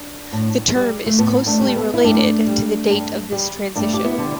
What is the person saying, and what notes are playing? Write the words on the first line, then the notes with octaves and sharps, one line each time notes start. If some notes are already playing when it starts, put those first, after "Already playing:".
The term is closely related to the date of this transition.
Already playing: D4
A2
G3
A3
A2 B3
A3 D4
G3
A3
B3
E4
G2 A3 D4
G3
G2
G3
G2 A3 D4
G4
B3 E4
D3 G3